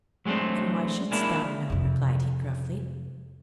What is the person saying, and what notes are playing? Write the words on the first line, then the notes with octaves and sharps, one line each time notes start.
"And why shouldst thou know?" replied he, gruffly.
F#3 G#3 A3 C4 D4
G#3 A#3 D4 E4
F2 C3